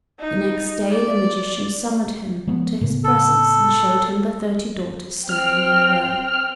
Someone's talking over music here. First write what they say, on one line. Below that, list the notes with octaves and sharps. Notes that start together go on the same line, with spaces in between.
The next day the magician summoned him to his presence, and showed him the thirty daughters standing in a row.
D#4
D5
F3 G#3 B3
A2 C#3 B3
A4
C4 G5 F6